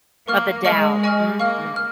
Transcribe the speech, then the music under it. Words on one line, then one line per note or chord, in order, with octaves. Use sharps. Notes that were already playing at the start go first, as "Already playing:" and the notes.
Of the doubt. Mhm.
A#3 A#4 F5 C#6 F6
G#3 G#4 D#5 G#5 C#6 F6
G#4 D#5 G#5 C#6 F6
A#3 F5 C#6 F6
F6